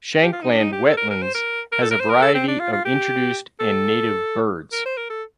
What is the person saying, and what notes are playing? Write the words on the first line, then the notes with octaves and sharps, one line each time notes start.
Shankland Wetlands has a variety of introduced and native birds.
G4
F4
D#4
D4
D#4
G4
A4
A#4
A#4
C5
A#4
A#4
A4
A#4
C5
A#4
A4
C4
D4
F4
F4
G4
A4
A#4
C5
A#4
A4